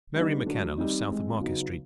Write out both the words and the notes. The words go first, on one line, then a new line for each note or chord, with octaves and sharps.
Mary McKenna lives south of Market Street.
D3 G3 B3 D#4
D3 F#3 A3 D4
D#3 G3 C4 D#4
E3 G#3 C4
C#3 F#3 B3 D#4